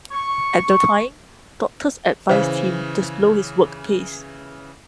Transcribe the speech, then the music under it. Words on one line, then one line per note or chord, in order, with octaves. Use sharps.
At the time, doctors advised him to slow his work pace.
C#6
C#3 E3 C5 F5